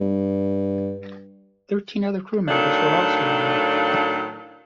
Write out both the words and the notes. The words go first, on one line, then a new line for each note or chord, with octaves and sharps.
Thirteen other crewmembers were also removed.
G2
A2 D#3 F#3 D4 A4 F5